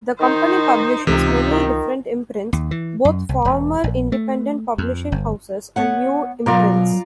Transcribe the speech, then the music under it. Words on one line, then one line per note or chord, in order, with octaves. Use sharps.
The company publishes many different imprints, both former independent publishing houses and new imprints.
D#3 D#4 C5
C#2 C3 E3 D#4 F4
D#3
D#2
E3
F#2
C2
E1
A#1
A3
F2
G1
B3 C#5 F#5
B2 F#3 F4 A#4 D5 A#5